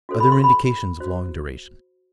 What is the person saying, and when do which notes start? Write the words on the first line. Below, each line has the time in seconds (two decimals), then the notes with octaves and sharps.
Other indications of long duration.
0.09 F#4 A4 C5
0.20 B5
0.32 C6
0.44 B5
1.00 F#4 C5